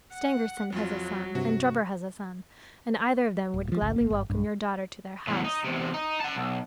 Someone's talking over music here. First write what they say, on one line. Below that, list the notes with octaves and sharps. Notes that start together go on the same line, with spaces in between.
Stangerson has a son, and Drebber has a son, and either of them would gladly welcome your daughter to their house.
F#5
F2 F#3 F4
G2 C3 F#4
D1
A2 F3
G#1 C#2
G#1 A#3
G1
B1 G2
E2 A2
D#4
E2 C3
D#4
F#5 A5
B1